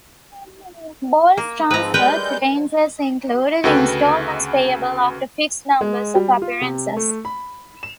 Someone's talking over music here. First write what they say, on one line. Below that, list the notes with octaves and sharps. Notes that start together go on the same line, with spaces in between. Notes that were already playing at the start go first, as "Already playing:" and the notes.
Ball's transfer to Rangers included instalments payable after fixed numbers of appearances.
A#3
G#2 F3 C4 B4 A#5
G3 G#3 A#4 B4 G5 G6
D2 C#3 F#4 A4 B4 G5
G#3
G3
F4
C3
A3
B5
E7